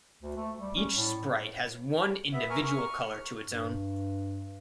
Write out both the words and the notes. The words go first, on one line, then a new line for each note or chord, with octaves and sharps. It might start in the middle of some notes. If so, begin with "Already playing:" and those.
Each sprite has one individual colour to its own.
D2
A3
G3
C#4
A2
B3 E5
A#4 G#5 C#6 F6
C#6 F6
G2